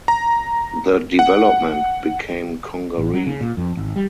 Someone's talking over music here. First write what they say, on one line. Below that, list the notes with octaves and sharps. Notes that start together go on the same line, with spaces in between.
The development became Congaree.
A#5
F#5
A1
F#3
C#3
A#2
F2
G#1
G3